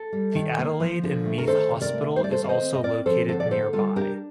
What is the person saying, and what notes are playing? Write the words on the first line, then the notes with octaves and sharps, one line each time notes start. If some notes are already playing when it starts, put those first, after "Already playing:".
The Adelaide and Meath Hospital is also located nearby.
Already playing: A4
G3
D#3
A#3
F3
D3
A3
A#4
D#3 A4 C5
C3
A#4 D5
A3
G3 C5
D5
A4 C5
D#3
F5
C5 D#5
C4
D#5
C4 A#4 D5
F3 A4 C5
D3 A4 C5
D5
A#3 A4 C5
G3 F4 A4
D4 G4 A#4